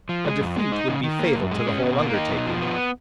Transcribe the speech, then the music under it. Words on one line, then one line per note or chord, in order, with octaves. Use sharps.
A defeat would be fatal to the whole undertaking.
F3
G#3
F2
G#3
D#4
C#3
D#3
A#3
F#2
G#3
C#4
B2
A#3
D#4
B2
F3
B3